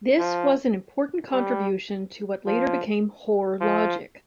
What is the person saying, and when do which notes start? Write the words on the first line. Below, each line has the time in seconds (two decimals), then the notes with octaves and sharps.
This was an important contribution to what later became Hoare logic.
0.19 F3
1.33 G3
2.47 F3
3.61 F3